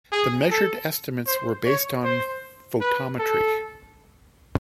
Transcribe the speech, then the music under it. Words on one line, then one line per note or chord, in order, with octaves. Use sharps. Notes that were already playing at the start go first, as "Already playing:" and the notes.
The measured estimates were based on photometry.
G#4
A4
C5
C#5
C5
B4
A4